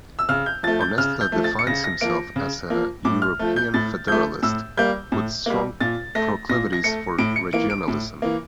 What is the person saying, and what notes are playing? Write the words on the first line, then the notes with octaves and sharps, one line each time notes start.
Onesta defines himself as a European federalist, with strong proclivities for regionalism.
E6
C#3 F6
G6
F3 A3 A6
G6
C#3 F6
G6
F3 A3
A6
C#7
C#3 A#6
A#6
F3 A#3 D7
C#3
F3 A#3
A2 D6
F6
F3 A3
G6
A2 A6
F3 A3 G6
A2 E6
G3 A#3 G6
A2
G3 A#3
A#2 A6
A3 A#6
A#2 A#6
A#6
A3 C#7
A2 D7
C#7
E3 A#3 D7
D7
A2
E3 A#3